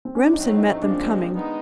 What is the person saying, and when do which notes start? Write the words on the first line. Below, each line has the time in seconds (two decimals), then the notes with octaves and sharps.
Remsen met them coming.
0.05 C4
0.15 C#4
0.24 D4
0.33 A2 F#3 A3 C4 D#4
0.58 D#4
0.70 D#4
0.82 A#2 F3 G#3 C4 D4
1.31 D#3 G#3 B3 D#4